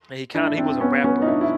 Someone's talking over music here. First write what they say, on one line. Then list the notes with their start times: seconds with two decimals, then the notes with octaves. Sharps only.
And he kinda he was a rapper,
0.35 D4 E4
0.57 C4 D4
0.80 B3 C#4
1.04 B3 C#4
1.22 D#4
1.26 D4 E4
1.41 E4